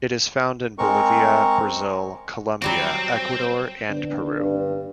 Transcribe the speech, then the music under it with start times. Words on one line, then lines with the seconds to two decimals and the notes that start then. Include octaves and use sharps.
It is found in Bolivia, Brazil, Colombia, Ecuador, and Peru.
0.78 G#3 C4 A#4 C#6
2.62 F#3 G3 C4 F#4
3.89 D3 B3 D4
4.40 G2